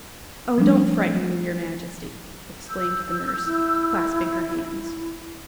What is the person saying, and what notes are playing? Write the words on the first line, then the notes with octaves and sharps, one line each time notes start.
"Oh! don't frighten me, your Majesty!" exclaimed the nurse, clasping her hands.
F3 G3 A3 C4 D4
E6 G6
E4